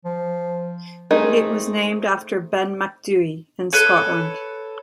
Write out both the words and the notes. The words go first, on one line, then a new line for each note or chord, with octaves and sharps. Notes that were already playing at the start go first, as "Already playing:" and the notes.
It was named after Ben Macdhui in Scotland.
F3
A3 C4 D#4 G#4 A#4
A4 B4 C#5